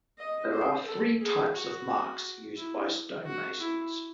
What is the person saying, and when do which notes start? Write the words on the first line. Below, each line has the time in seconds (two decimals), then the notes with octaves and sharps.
There are three types of marks used by stonemasons.
0.18 D#5
0.52 C5
0.86 A4
1.20 G#4
1.54 F#4
2.57 E4
3.25 F#4
3.59 E4